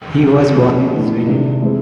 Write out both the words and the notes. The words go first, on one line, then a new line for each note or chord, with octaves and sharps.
He was born in Zuilen.
C3 D#3 F#3
A#2 F3 A#3 C#4
E3 A3 D4 G4
C3 D#3 G#3 B3 D4
E3 G#3 C4 E4